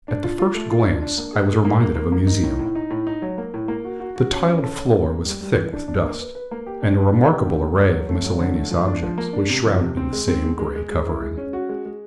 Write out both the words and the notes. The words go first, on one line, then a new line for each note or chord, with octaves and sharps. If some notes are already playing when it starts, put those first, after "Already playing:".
At the first glance I was reminded of a museum. The tiled floor was thick with dust, and a remarkable array of miscellaneous objects was shrouded in the same grey covering.
D4
F4
F4
A3
F4
D4
D4
A#3
G#4
G#4
A#3
A#3
A#3
A#3
D#4
A2
A2
D#4
A2
D#4
F#3
A#3
A2
A#3
F#4
F#4
F#4
C#4
C#4
A4
C#4
A#3
A#3
G3
G3
E3
D4
D4
A#3
B4
B4
A#3
G4
D4
B4
D4
G4
D3
A3
F#3
F#3
A3
F#3
D3
A3
F3
D4
F3
A#3
D4
C3
F3
C3
C4
G#3
C4
G#3
G#3
G#3
G#3
E4
G#3
C#4
F#4
G#3
G#3